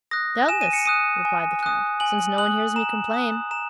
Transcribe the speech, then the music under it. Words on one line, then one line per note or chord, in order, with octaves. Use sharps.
"Doubtless," replied the count, "since no one hears me complain."
D#6 F#6 A#6
G#5 E7
D#7
C#7
D#6 F#6 D#7
G#5
D#6 F#6
G#5 F#7
D#6 F#6 F#7
A#5 E7
D#6 F#6
A#5 E7